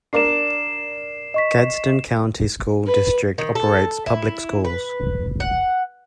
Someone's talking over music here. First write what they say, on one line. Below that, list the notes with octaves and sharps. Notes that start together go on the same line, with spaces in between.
Gadsden County School District operates public schools.
D4 A#4 D5 C7 E7
D#5 C#6 B6
B4
D#3
A4
E4
B4
F#5